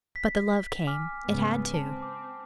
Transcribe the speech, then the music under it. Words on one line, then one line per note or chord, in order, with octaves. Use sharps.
But the love came ... it had to.
B6
G#5 D6 F6
G#2 C#3 B3
C4 A5
D6